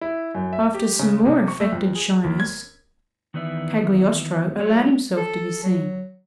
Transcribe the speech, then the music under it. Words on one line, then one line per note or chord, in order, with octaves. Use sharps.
After some more affected shyness, Cagliostro allowed himself to be seen.
E4
F#2
E5
G4
C#3
C3
C#6
A3
F2
G#4
D#2
G#6
D#3 E3 B3 D5 E5
F#3 G#3 A3 C#5
A4
F#3